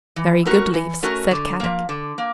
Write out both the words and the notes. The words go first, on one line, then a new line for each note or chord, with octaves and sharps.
"Very good leaves," said Kadok.
E3
A3 C#4 F#4 A#4
E3
A3 C#4 F#4 A#4
D3
F3 A#3
D3
A#3